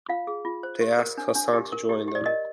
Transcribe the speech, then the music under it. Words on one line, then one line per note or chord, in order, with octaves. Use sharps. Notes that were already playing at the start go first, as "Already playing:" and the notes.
They asked Hassan to join them.
F4 F5
G#4
F4
C5
G4
A#4
D4
D4
G4
A#4
G4
G4
D5
A#4 D#5